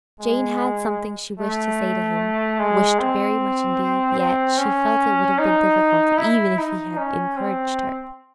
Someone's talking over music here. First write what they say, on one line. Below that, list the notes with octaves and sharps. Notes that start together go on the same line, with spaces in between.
Jane had something she wished to say to him--wished very much indeed, yet she felt it would have been difficult even if he had encouraged her.
G#3
A3
G#3
C4
C4
C#4
D#4
E4
D#4
C#4
C4